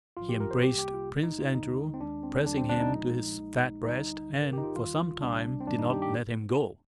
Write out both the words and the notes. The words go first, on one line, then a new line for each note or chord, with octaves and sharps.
He embraced Prince Andrew, pressing him to his fat breast, and for some time did not let him go.
G#1 G#2 F3 F4
G4
A#4
C5
C2 C3 G3 A#3 G4
G4
F4
C2 A#2 G#3
D#4
F4
D#2 D3 G#3 D#4
C4
D#2 D#3 G#3 D4
C4
D#2 D3 G3 D4
C4
D4
D#4
A#1 A#2 F3 G#3
A#1 A#2 G#3
D2 D3 G3 D#4
A#1 G#2 D#3
A#4
D#4 G4
F4
D#2 D#3 G3 F4
C2 C3 G3 D4
C4
G2 D#3 G3 A#3 D4
D#4
G4
G4